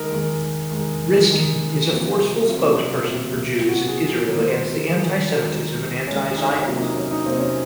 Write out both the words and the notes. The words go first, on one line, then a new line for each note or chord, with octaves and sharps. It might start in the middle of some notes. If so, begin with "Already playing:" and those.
Riskin is a forceful spokesperson for Jews and Israel against anti-Semitism and anti-Zionism.
Already playing: D#3 G#3 D#4 A#4
D#3 G#3
D#3 G#3
D#3 G#3
C3 F#3 A#3
C3 F#3 A#3 F4
C3 F#3 A#3
C3 F#3 A#3 F#4
G#4
A#4
D#3 G#3 A#4
C5
A#4
D#3 G#3 G#4
D#3 G#3
D#3 G#3 C#4
D#4
C3 F#3 A#3 F4
D#4
C#4
D#4
C3 F#3 A#3 C4
C#4